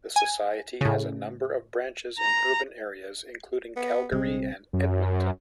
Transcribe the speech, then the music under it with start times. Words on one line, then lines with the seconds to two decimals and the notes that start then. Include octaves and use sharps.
The society has a number of branches in urban areas, including Calgary and Edmonton.
0.16 G#5
0.81 A2 C#3
2.19 A#5
3.76 B3
4.12 A#1 C3 G3 G#3 C4
4.73 F#2